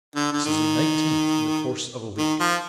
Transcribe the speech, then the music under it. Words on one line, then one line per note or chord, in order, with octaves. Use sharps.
This is the nineteenth in the course of a week.
D3
D3
D#3
D#3
F3